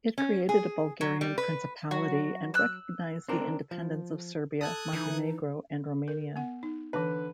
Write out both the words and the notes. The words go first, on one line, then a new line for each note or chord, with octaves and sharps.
It created a Bulgarian principality and recognized the independence of Serbia, Montenegro, and Romania.
C#4
G#4
F#3
G3
B4
F#3 F#4
E6 F#6
C4 D4 A#4
F3
A4 D#6 F#6 G#6
E3 D#4
A#4
B3 F#5
D#4
D3 E3 B4 A5